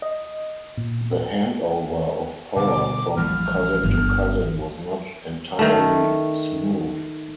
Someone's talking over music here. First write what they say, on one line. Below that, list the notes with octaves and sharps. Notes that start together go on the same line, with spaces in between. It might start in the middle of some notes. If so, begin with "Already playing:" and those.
The handover of power from cousin to cousin was not entirely smooth.
D#5
A#2
B2 D3 G3 D6
A1 F3 G3 F6
G1
D#3 A3